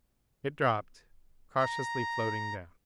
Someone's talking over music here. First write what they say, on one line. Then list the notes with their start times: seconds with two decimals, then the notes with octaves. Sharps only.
It dropped, cautiously floating down.
1.59 A#5